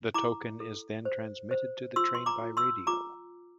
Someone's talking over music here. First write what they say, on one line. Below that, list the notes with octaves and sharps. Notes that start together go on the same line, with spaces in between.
The token is then transmitted to the train by radio.
E4 A#5 D6
A4
C5
C5
F4 C6 E6
C6
A#5 D6
F4
C6 E6
F4 A#5 D6